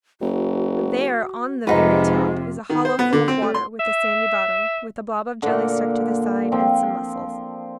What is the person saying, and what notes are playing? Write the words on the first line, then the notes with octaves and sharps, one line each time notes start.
But there, on the very top, is a hollow full of water, with a sandy bottom; with a blob of jelly stuck to the side, and some mussels.
F#1 F#4
F2 G#2 C3 D#4 F4 F#4 B4
D#3
C5
B3
D3
C4
A3
C6
E5
A#2 D3
F3 C4